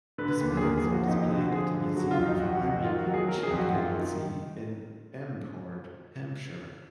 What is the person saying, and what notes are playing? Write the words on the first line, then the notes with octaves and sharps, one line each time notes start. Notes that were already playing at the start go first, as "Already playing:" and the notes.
His medals are displayed at The Museum of Army Chaplaincy in Amport, Hampshire.
D3 B4
D#2
G#4
D#2 A#4
G#4
F3
F#4
F2 D#4
D#4
D3
F#4
F3 G#4
D3
F#3 F#4
F4
F2
D#4
F2 F#4
F#4
F2
F#4
D#3 F4
F#4
F#3
G#4
F#3 A#4
G#4
F2
F#4
F#2 F4
D#3